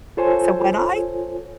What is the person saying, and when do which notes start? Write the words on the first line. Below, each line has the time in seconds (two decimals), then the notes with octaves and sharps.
So, what I
0.17 F4 A4 C5 C#5 G#5